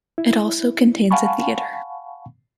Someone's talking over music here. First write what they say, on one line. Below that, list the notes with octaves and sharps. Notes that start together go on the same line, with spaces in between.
It also contains a theatre.
E4
F5 F#5 G#5 A5 B5 C#6